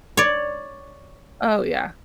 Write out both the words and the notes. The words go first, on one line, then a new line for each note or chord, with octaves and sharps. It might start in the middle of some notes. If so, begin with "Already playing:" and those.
Oh, yeah.
C#5 D5